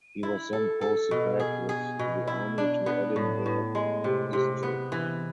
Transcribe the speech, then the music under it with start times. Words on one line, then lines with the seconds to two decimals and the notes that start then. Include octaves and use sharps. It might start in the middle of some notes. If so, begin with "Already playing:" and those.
He was then posted back with the army to Edinburgh district.
0.23 E4
0.53 A4
0.81 A4
1.11 B2
1.40 G#4
1.69 G#4
1.99 B2
2.28 E4
2.58 D4
2.86 B3
3.16 A2
3.46 A2
3.75 G#3
4.04 C3
4.33 C3
4.63 B3
4.92 E3